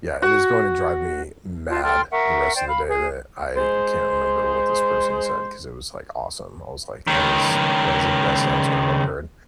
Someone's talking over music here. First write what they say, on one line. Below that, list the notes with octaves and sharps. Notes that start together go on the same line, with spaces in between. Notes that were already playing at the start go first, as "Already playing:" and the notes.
yeah, it is going to drive me mad the rest of the day that I can't remember what this person said, 'cause it was like awesome. I was like: "That is that is the best answer I've ever heard,"
F#4
F4 D#5 A5
A4 G5 C6 F6
A#4 E5 F#5 C#6
C5 D5 G5
F5 B5
G#4
G#3 C5
C#2 D#3